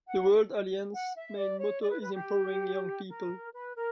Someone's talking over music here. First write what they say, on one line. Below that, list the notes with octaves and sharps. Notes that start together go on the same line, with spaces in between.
The World Alliance's main motto is empowering young people.
F#5
F#5
E5
D5
C#5
D5
B4
B4
G4
A#4
B4
A#4